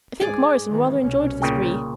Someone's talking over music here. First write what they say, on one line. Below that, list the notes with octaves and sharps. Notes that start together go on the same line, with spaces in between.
I think Morrison rather enjoyed the spree.
G#2 G#4 D5
D#3 E3 B3
C2 B2 C#4
A#2 C#3 G5